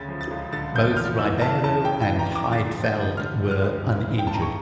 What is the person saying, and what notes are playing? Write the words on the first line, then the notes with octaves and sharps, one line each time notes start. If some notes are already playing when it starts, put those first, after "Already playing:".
Both Ribeiro and Heidfeld were uninjured.
Already playing: D2 C#3 A6
F3
A6
C#2
D3 A6
F3 G6
E2 F6
E3 E6
E2 A5
E2 A5
C#3 G5
G5
E3
A#5
F2
D6
D3 A6
F3
G6
G2
D3 F6
F3
F6
D2
C#3
E3
G5
F2 A5
A#5
C#6